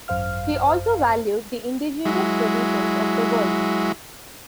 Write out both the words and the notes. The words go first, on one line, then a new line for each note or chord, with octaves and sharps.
He also valued the indigenous traditions of the world.
G#1 F#2 C5 F5 F6
F#3 G#3 E4